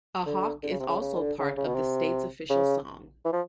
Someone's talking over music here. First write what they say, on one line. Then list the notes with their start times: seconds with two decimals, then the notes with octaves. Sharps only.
A hawk is also part of the state's official song.
0.26 D3
0.63 D3
0.71 C#3
0.80 C3
0.89 C#3
1.01 C#3
1.15 D#3
1.19 D3
1.39 C#3
1.57 C#3
1.67 B2
1.75 C3
2.50 C#3
3.25 E3
3.33 F3